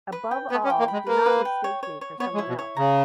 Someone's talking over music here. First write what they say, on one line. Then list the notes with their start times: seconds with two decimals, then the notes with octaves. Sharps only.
Above all, do not mistake me for someone else!
0.12 B4
0.31 G5
0.50 B3 B4
0.64 C#4
0.70 G5
0.79 A#3
0.88 G#3 B5
1.07 A#3 B4
1.26 B4
1.45 G5
1.64 C#5
1.83 C#5
2.01 C#5
2.20 B3 C#5
2.34 G#3
2.39 E4
2.48 B2
2.59 C#5
2.77 C#3 A#5